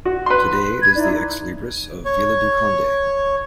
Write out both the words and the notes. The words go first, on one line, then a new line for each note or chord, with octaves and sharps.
Today it is the ex-libris of Vila do Conde.
F#4
B4 C6
G#6
D#4 E4 D5
C#5